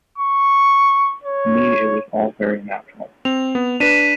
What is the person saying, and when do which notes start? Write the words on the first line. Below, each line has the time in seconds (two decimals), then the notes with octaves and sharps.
To me it was all very natural.
0.18 C#6
1.24 C#5
3.25 C4 F7
3.55 B3
3.80 D4 B4 B6 D#7 E7